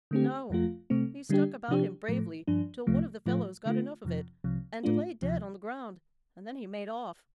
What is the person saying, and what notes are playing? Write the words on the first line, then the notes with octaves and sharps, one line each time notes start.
"No; he struck about him bravely, till one of the fellows got enough of it, and lay dead on the ground; and then he made off."
D3 A3 C4 G4
F2 F3 A3 F4
C3 A3 C4
D3 G3 D4 G4
C3 F3 D4 G4
A2 F3 A3
G2 F3 D4
C2 C3 F3 A3
A2 F3 A3 F4
D3 A3 F4
F2 C3 F3
C2 C3 F3
A2 A3 D4 F4
D2 C3 F3